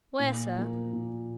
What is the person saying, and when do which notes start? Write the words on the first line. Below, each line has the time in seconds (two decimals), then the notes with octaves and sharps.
"Where, sir?"
0.19 A#2
0.56 F3 A#3
0.93 A#2